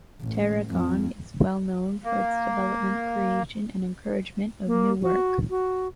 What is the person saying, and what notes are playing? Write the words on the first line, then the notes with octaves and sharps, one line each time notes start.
Tarragon is well known for its development, creation and encouragement of new work.
A1
F2
A#3
A#3
F#4
F#4